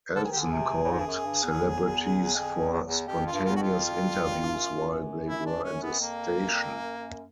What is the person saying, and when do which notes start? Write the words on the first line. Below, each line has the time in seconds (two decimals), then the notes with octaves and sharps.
Elson caught celebrities for spontaneous interviews while they were in the station.
0.15 D3 A4
0.24 D#3 G#4
0.32 G4
0.36 D3 G#4
0.52 C3
0.84 A2
0.92 G#2
0.99 G2
1.06 F#2
1.25 G2
1.43 E2
2.35 F2
2.72 E2
2.87 E2
3.07 F2 G4
3.27 F4
3.32 G2
3.44 E2 F4
3.56 F2 F#4
3.62 F4
4.44 G2
4.54 F#2
5.27 E4
5.46 D4
5.63 C#4
5.82 B3
5.90 F#2
6.00 F2 A#3
6.37 F2
6.45 F#2
6.52 F2
6.73 F#2
6.98 F#2